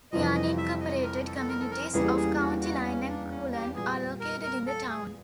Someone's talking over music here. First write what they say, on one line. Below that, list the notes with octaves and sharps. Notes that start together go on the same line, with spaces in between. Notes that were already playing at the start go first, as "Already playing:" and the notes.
The unincorporated communities of County Line and Cullen are located in the town.
F2 C3 E3 G3 D#5
D#5
E5
D#5
A#4
A4
A4
A#4
A4
A#4
E2 C#3 E3 G3 A#3 G#4
G#4
F#4
F#4
C#4
D4
C#4
G4
A#2 G3 B3 G#4
A#4
A#4
A4
G#4